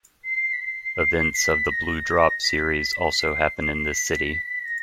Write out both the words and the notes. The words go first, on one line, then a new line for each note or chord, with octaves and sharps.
Events of the "Blue Drop" series also happen in this city.
C7
B6
C7
B6
A#6
B6
C7
B6
A#6